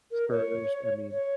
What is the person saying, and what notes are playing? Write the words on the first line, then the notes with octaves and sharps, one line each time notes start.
Spurs, I mean
A#4
C#5
C#5